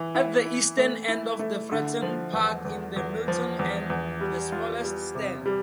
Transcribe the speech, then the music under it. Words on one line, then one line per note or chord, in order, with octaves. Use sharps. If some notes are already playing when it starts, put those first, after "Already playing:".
At the eastern end of Fratton Park is the 'Milton End', the smallest stand.
Already playing: E3
E4
E4
A3
E4
A3
D3
F3
E2
E2
E2
F3
E2
E2
G3
F4
G3
C3
G3